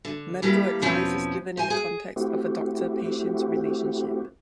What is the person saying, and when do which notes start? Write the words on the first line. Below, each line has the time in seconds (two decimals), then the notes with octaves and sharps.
Medical advice is given in the context of a doctor-patient relationship.
0.05 D3
0.42 E3 G3 A3 A#3
0.82 E2 B2 F3 C4 C#4
1.57 C5 G#5
1.70 G#4
2.16 A3 C4 E4 F#4 G4